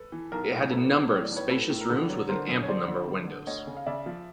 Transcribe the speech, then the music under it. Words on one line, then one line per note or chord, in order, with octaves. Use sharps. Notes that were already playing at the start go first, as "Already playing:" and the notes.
It had a number of spacious rooms with an ample number of windows.
Already playing: A4 B4
E3
B1 A#4
A2
F#3 A4 B4
B1
A2 C#5
D5
B1
B4 C#5
A2 A4 B4
A2
A#4
D3 A4 B4
F#3
D3 A#4 C5
F#2
C#5
D3 C5 D5
D3
D3
D3
D2 C#5 D#5
C#3
F5
C#3 D5 E5
F3